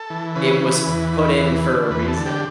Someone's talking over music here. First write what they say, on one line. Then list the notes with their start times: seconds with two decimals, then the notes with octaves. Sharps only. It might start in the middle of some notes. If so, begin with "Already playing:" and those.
it was put in for a reason.
Already playing: A4
0.10 E3
0.35 C#3 B4
0.62 E3
0.87 E2
1.13 E3
1.39 E2
1.65 D3
1.91 E2 B4
2.08 A4
2.17 D3
2.26 G4